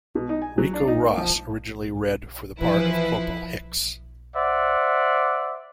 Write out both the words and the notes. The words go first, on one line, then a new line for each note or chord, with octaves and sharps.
Ricco Ross originally read for the part of Corporal Hicks.
B2
D#4
G#5
F#3
D4
D#4
A#3
F3
E3 F3 E4 B4
C5 D5 E5 F#5